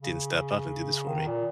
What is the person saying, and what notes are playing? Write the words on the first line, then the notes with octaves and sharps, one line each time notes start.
didn't step up and do this for me.
C#3
D#3
A#2